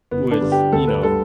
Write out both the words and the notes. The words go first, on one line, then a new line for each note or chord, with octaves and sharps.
with, you know
G1 B3
D4
G2 D3 G3
G4
D2 A4
B4
D3 G3 A4